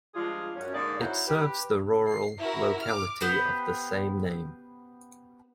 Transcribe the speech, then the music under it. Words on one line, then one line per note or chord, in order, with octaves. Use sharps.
It serves the rural locality of the same name.
F3 G3 G#3 D4 F4 G#4
F#2 C#4
G#2 D3 A#3 D#4 D5
D#4 E4 F#4 C5 C#5
G4 B4
C7
E4 F#4 A#4
D6 F6
B3 G4 B4 C5